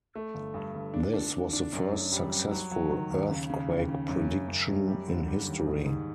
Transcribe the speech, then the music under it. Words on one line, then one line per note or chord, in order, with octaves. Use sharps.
This was the first successful earthquake prediction in history.
A3
G1
G2
G1
D4
D4
D4
D4
F#2
F#2
G3
G3
F#3
F#3
D#3
D#2
C#3
C#3
D#2
C#3
F#2
C#3
F#2
F#2
G3
D3
G3
D#2
G#2
G#2